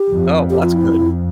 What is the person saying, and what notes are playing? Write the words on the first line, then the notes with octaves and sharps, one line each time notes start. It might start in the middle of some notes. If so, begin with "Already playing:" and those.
Oh, well, that's good.
Already playing: G4
F2
G4
F4
E4